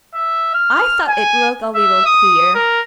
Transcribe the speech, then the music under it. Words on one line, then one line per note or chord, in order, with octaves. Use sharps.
'I thought it looked a little queer.
E5
F6
G#5
E5
D#6
A#4